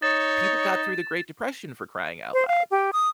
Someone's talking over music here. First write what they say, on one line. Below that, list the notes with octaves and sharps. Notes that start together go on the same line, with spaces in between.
people got through the great depression for crying out loud.
D#4 C#5 A6 E7
C5
F5
G4
D#6